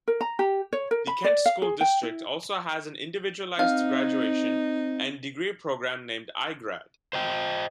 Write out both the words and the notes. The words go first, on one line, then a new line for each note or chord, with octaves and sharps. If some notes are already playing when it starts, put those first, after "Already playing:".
The Kent School District also has an individualized graduation and degree program named iGrad.
A#4
A#5
G4
C#5
A#4
B5
D5
F5
G#4
G5
E4
C4 D#4 F5
C5 D#5 G5